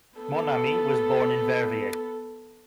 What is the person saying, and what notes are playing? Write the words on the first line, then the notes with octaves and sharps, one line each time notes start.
Monami was born in Verviers.
B3 A4